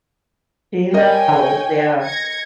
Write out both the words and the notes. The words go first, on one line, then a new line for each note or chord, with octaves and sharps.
she knows, yeah.
A#4 C#5 D#5 G5 G#5
G#6 A#6 C#7